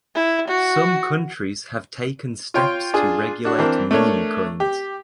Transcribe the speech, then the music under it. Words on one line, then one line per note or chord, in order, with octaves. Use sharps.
Some countries have taken steps to regulate meme coins.
E4
F#4
F4 C#5 G5 C6
D4 F4 G#4
D4 F#4
E3 C4 D4 A#4
A3 D4 A#4 C#5
G4